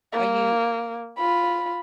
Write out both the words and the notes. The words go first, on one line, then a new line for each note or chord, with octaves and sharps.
Are you
A#3
F4 B5